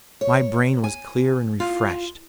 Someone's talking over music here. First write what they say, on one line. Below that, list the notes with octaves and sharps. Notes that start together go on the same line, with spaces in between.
My brain was clear and refreshed.
C#5
G#5
F4